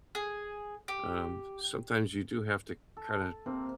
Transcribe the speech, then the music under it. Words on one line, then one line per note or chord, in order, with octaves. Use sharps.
um, sometimes you do have to kinda
G#4
G4
A4
C3 A#3 C4